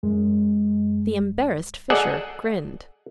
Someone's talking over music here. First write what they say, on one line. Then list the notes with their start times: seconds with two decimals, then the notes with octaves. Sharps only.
The embarrassed Fisher grinned.
0.03 F#2 G#3
1.90 G#4 A4 D5 D#5 F#5 G#5